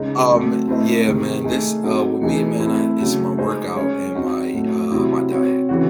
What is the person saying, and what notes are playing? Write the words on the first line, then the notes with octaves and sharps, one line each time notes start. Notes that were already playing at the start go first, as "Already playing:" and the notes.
Um, yeah, man. This, uh, with me, man, I it's my workout and my, uh, my diet.
Already playing: C#3 G#3 D#4
F#3 A3 C4
A3 C4 E4 C5 D#5
C3 D#3 G#3
A3 D#4 G#4
F#3 C4 D#4 A4
E3 A3 D#4 G#4
A3 C4 E4
C#3 F#3 A3
G#3 D#4 G#4 C5 D#5
G#3 C#4 G#4 C#5
C4 D#4 F#4
A2 F#3 A3
C3 F#3 C4 E4
C4 F#4 C#5
C#3 E3 C4 F#4